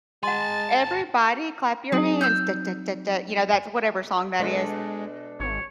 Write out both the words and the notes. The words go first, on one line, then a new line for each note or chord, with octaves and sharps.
"Everybody clap your hands, da da da da," you know, that's whatever song that is,
G#3 F#5 G#5 A5 C6 A6
F#3 C4 D#4 G#4
E6 F6 G6
B2 G#3 D4 A4
G#1 C#5